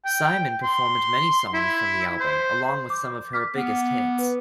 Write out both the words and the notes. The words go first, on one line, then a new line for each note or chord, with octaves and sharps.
Simon performed many songs from the album, along with some of her biggest hits.
G5
C6
E4
C5
D6 G6
D6 F6 B6
B3
B4